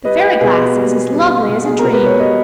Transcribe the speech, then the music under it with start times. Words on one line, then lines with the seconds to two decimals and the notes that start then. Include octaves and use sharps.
The fairy glass is as lovely as a dream.
0.04 G3 B4 D#5
0.40 B2 G#4 B4
0.76 G3
1.13 G3
1.48 B2
1.65 G#4
1.79 A#4
1.84 B2
1.92 B4
2.06 C#5
2.19 G3 B4 D#5